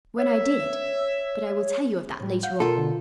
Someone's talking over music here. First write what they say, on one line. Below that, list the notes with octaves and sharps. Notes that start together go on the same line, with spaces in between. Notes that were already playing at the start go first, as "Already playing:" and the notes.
When I did--but I will tell you of that later on.
C#5 E5
A2 G3
F5 F#5 G6
B2 F4 A4 A#4
B2 D3